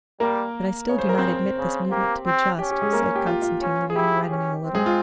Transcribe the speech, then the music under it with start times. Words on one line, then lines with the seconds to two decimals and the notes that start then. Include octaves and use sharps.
"But I still do not admit this movement to be just," said Konstantin Levin, reddening a little.
0.20 G3 A#3 A#4
0.89 C#3 C#5
0.98 C5
1.09 A#4
1.18 C4 C5
1.57 C#3
1.91 A#3 G4
2.26 C4
2.59 C#4 G4
2.71 G4
2.82 G#3 G#4
2.93 A#3 A#4
3.15 G4
3.27 F4
3.42 F4
3.62 C#4
3.90 G#4
3.96 E4 G4
4.30 C#4
4.63 C4
4.75 G#3 G#4
4.86 F4